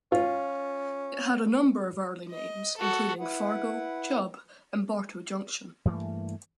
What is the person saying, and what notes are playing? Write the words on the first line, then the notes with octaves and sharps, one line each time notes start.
It had a number of early names, including Fargo, Chubb and Bartow Junction.
C#4 F4
D#5
F#4 A4
E4 B4 F#5
G2 E3 A3 A#3